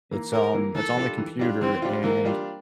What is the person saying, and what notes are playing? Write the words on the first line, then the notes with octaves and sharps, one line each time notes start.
It's, um, it's on the computer, and
E3 A#3
A2 A#4
E3 A#3
E3 A4
G3 D4 F4
E3
G3 D4 F4
E3 C4
G3 D4 F4
E3 A#3
G3 D4 F4